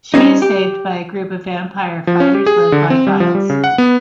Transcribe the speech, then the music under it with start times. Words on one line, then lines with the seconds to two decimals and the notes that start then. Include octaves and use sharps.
She is saved by a group of vampire fighters led by Giles.
0.14 G3 C4 C#4 D#4
0.42 G4
2.07 F3
2.20 C#4
2.35 G4
2.46 G#4
2.72 D3
2.90 C4
3.07 G3
3.20 F3
3.35 G3
3.50 C#3
3.64 F#5
3.78 B3